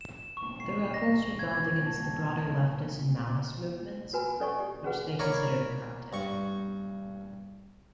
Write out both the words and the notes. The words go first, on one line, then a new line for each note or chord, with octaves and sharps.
The Rebels rebelled against the broader Leftist and Maoists movement, which they considered corrupted.
E7
C#6
C7
A#6
G#6
A5
F#4 B4 G#5 B5
C#4 A4 D5 D#5 G#5 C#6
G4
C#4 F#4 G#4 B4 F#5
A#4 C#5 D5 F5 B5
G2 C#6